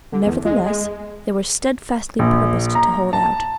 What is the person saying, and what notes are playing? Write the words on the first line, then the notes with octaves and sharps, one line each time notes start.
Nevertheless they were steadfastly purposed to hold out.
D3
E2
G#3
G#3
A#1
A#5
A5